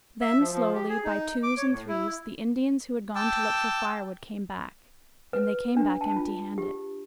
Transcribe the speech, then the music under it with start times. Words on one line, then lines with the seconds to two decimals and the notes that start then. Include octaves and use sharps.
Then slowly, by twos and threes, the Indians who had gone to look for firewood came back, and they came back empty-handed.
0.21 E5
0.39 F3
0.53 F3
0.74 G4
0.89 G#4
1.05 D#4
1.43 D6
1.57 C#5
1.72 A2
1.88 E4
3.15 G5 A5 D6 E6
5.33 B4
5.77 D4
6.01 A5
6.16 F4
6.58 G4